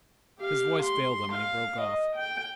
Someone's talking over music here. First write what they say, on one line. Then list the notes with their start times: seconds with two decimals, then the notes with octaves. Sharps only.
His voice failed him, and he broke off.
0.39 G4 F5
0.83 C6
1.33 F5
1.81 D#5
2.16 G5